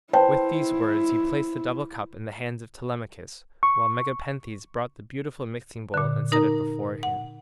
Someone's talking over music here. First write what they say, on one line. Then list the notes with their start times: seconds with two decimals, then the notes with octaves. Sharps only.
With these words he placed the double cup in the hands of Telemachus, while Megapenthes brought the beautiful mixing bowl and set it before him.
0.13 E4 B4 C5 G5 A5
3.63 C#6
5.94 A#2 D3
6.32 D#4 A#4 A#5 A#6
7.03 F#5